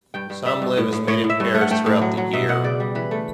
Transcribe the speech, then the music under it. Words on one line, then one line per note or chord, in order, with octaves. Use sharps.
Some live as mated pairs throughout the year.
G2 G5
G2
G3 E5
G2
A2
A2
A2 C#5
A2
E5
G2
A3
F#5
A3 G5
A2
F#3
F#3
B2 E5
B2 F#5
C#3 D5
G3
E3 B4
A3 A4